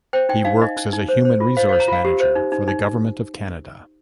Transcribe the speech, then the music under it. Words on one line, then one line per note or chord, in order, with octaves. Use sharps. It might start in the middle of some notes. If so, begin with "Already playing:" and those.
He works as a human resources manager for the Government of Canada.
C5 G5
D#4 G5
D#4 F5
D#4 D#5
D#4
D#4
C5
C5
F4
C5 F5
F5
C5
A#5
F4 F5
G4
C5
D#4
D#4
D#4
D#4